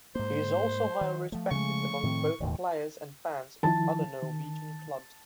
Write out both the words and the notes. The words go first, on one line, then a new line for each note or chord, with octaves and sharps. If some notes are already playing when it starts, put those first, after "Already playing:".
He is also highly respected among both players and fans of other Norwegian clubs.
G#2 A#3 C5
D#3
F3 A3
C#3 G#3 C#6
A2 D#3 C4
E1 D#2 A2
D#3 F3 E4 A5
D#3